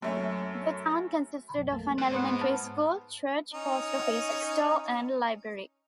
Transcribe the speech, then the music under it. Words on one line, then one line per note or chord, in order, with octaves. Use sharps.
The town consisted of an elementary school, church, post office, store, and library.
F#2 A3 C#4
B1 F#2
A3 A#3 A5
G#3 C5 F#6
G#2 B3 C#5 F#5 C6
A5 F6
C#4 D#4